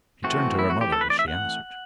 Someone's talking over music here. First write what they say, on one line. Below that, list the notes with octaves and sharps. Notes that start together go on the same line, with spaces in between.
She turned to her mother as she answered.
E3 A3 C4 F#4
E4
F#4
G4
A4
B4
D5
E5
F#5